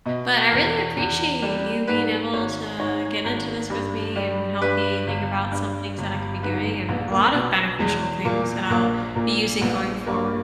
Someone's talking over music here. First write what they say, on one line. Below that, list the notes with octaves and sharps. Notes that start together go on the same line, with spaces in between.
But I really appreciate you being able to get into this with me and help me think about some things that I could be doing and a lot of beneficial things that I'll be using going forward.
B2 D#5
E2
E2
G3
G#2 B4
G#1 C#5
G#2 C#5
G#1
G2
G3
G2 B4
G1
G2
G1
G#2 B4
A#1 B3
A#3
B2 B3
E2 G#3
A#2 A#3
A#1 A#3
A#2 A#3
A#1 B3
G2 A#3